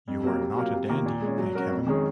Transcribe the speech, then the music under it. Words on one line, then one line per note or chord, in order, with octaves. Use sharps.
You are not a dandy, thank Heaven!
F2
C3 F#3 A#3
C3
F#3 A#3 F4
C3
D#3 A#3 F4
A#2
G#3
C#4
F#3
C#4 F#4 A#4
F2
D#3 G#3 C#4 G#4